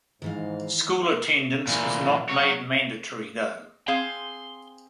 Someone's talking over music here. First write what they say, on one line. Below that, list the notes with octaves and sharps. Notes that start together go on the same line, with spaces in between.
School attendance was not made mandatory, though.
G#2 D#3 E3 F5
A#2 E3
F#4 C#5
C4 G#4 F5 C6